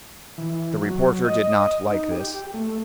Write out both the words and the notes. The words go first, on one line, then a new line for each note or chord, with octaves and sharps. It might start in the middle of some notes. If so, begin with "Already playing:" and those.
The reporter did not like this.
E3
F#3
D#5
D#4
G4
A3